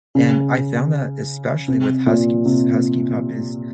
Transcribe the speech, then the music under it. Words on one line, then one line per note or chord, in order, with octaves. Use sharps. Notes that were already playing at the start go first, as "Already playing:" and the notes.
And I found that especially with huskies, husky puppies,
C#3
C3
A#2
C3